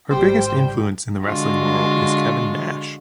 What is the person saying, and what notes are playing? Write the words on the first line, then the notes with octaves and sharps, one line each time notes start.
Her biggest influence in the wrestling world is Kevin Nash.
G#1 G3 C5 G5
D3 G#3 F4 F#4